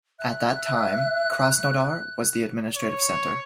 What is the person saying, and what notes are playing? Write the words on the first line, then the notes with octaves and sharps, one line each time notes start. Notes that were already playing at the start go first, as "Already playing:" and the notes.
At that time, Krasnodar was the administrative center.
E5 F#6
C#5